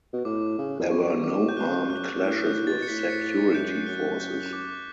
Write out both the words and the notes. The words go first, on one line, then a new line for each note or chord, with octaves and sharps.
There were no armed clashes with security forces.
B2
A2 D6
C#3
E2
F#2 C#6
G2
D6
A2
G6
B2 F#6
C#3
B2
G2
F#2 F#6
G2
A2 F#6
A2 F#6
B2 A6
B2 C#7
A2 B6
C#7
A6
G2
F#2 G6
F#2 F#6
G6
D6